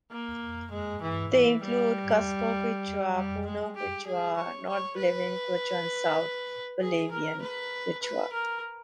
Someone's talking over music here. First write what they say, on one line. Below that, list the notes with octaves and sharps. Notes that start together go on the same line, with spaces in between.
They include Cusco Quechua, Puno Quechua, North Bolivian Quechua, and South Bolivian Quechua.
A#3
G#3
E3
E3
G3
G3
G#3
G4
G#4
C#5
C#5
B4
G#4
A#4
B4
B4
A#4